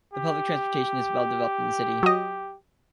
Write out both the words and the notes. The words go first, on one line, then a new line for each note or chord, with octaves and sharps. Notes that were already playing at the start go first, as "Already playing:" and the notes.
The public transportation is well developed in the city.
G4
F#3 D#5